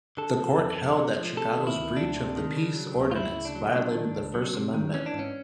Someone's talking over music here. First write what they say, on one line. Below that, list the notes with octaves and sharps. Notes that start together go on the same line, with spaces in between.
The Court held that Chicago's breach of the peace ordinance violated the First Amendment.
D3 A4
F3
F2
F2
D3
F3
C3 A4
D#3
E4
D2
D2 D4
C3
D#3
C#3
F#3
D2
F4
D2 E4
C#3
D4
F#3
C3 D4
D#3
C#2
F#3
C3
D#3
E3 C#4
D4
G#2
C#4